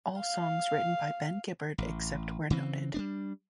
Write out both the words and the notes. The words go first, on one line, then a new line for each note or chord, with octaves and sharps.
All songs written by Ben Gibbard except where noted.
F5
A1
C#3 E3 C4
G3 B3 D4